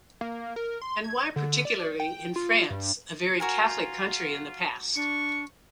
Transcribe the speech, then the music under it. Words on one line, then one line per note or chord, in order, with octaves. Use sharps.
And why particularly in France, a very Catholic country in the past?
A#3
A#4
C6
G#6
D3
D5
G5
F4
G2
F4 F#4 A#4 G#5
D4 C#6